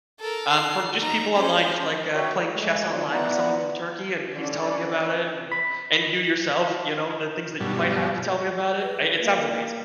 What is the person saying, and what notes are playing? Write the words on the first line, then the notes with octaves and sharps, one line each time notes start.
um, from just people online, just, like, uh, playing chess online with someone from Turkey and he's telling me about it, and and you yourself, you know, the things that you might have to tell me about it. I it sounds amazing.
A4 A#4
C7
D#4 A#5
C#4 C5
F#4 A#4 C#5 D5 E5 G5
A3
G#3 A3
F#3 C4 D4 F4
B3 E4 B4 D5 F#5 A#5
D3 C#4 D5
B5
G2 B2 F#3 G3
B4
A#3